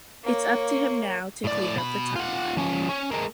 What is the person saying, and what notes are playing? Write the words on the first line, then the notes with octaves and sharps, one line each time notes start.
Its up to him now to clean up the timeline.
A#3 C#5
A2 D5
B2 B5
F4 F#5
F3 C#4
C#4
G#3 A#3